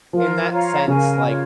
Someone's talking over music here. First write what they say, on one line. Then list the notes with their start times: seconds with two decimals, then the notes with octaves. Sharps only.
in that sense, like
0.13 F3 F4 A#4 F5
0.50 F4 C#5 F5 A#5
0.88 C#3 C#4 A#4 F5 G#5
1.25 F4 A#4 C#5